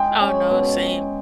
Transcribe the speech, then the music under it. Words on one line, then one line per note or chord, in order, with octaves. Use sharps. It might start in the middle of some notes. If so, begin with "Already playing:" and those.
Oh, no. Same.
Already playing: G#3 G5
C#4
B2